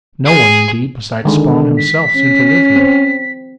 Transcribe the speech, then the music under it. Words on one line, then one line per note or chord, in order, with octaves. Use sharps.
No one, indeed, beside Spawn himself seemed to live here.
G#4
D3 D#3 G#3
B6
C#4
C4